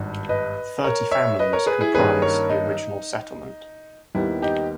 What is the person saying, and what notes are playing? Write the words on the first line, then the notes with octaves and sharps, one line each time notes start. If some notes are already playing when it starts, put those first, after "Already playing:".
Thirty families comprised the original settlement.
Already playing: G#1 G2 G3
B4 D#5
A#4 C#5
C#5 E5
B4 D#5
A#4 C#5
G#4 B4
E4 G#4
G2 D#3 A#3 C#4 G#4 B4
A#4 C#5
D#4
D#2 D#3 G3 B3 E4
D#4 G4